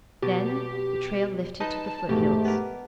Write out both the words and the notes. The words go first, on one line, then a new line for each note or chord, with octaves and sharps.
Then the trail lifted to the foothills.
B2 G4
D#4 B4 D#5 A5
A1 F2 G#2 B2 A3 G4
B3 A#4